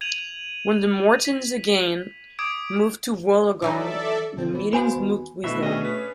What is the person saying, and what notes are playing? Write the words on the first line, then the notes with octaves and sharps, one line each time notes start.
When the Mortons again moved to Wollongong, the meetings moved with them.
G#6 D#7 F7 F#7
B6
D6 D#6 G#6 D7
E3 F#3 D#4 A4 D5 E5
D3 F3 C4
E3 B3
B3 F#4 C5 F5 G#5 B5
D#2
D2 B2 A3 E4 B4 E5
C#4 D4 G#4 D#5
B4